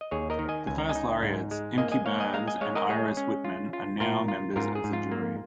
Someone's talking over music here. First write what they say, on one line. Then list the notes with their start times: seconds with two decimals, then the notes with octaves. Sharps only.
The first laureats, Imke Bruns and Iris Wittmann are now members of the jury.
0.01 D#5
0.11 D#2 G#4 C#5
0.30 A#4 D#5
0.39 D#3
0.49 D#5 G#5
0.67 C#2 G#5
0.78 A#5
0.89 D#5 G#5
0.96 D#4
1.23 G#2
1.51 G#3
1.78 A#3 D#5 G#5
1.92 D#5 G#5
2.06 A#3 C#5 F5
2.20 D#5 G#5
2.34 G#3 F5 A#5
2.48 D#5 G#5
2.61 G#3 C#5 F5
2.75 A#4 D#5
2.89 G#3 G#4 C#5
3.17 C#4
3.44 F4
3.73 F4
4.00 A#2 F4 A#4
4.28 F4
4.56 G#2 F4 A#4
4.75 G#4
4.84 G#2
4.93 F4
5.12 A#3